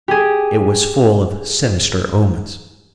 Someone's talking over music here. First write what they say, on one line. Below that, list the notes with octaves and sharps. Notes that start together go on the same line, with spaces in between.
It was full of sinister omens.
G4 G#4